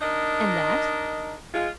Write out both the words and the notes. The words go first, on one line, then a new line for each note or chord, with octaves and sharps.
"And that?"
D4 D#4 A#4 D#5
G#3 F4